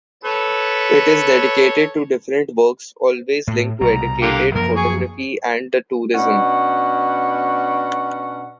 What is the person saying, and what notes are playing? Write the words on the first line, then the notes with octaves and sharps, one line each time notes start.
It is dedicated to different works, always linked to educated, photography and the tourism.
A4 B4 C#5
A2
C2 B2 G3 A#5
D3 A#3 G4
F#2 F3 A#3 A#4
G#4 G#5 C#6
B2 C#4 D4 F#5